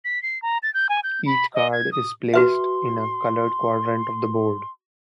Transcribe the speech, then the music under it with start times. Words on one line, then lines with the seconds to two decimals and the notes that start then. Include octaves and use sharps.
Each card is placed in a colored quadrant of the board.
0.04 B6
0.23 C7
0.42 A#5
0.63 A6
0.74 G6
0.89 G#5
1.03 G6
1.26 B5
1.54 D#5
1.72 G#6
1.92 D#6
2.34 F#4 B4 E5 C6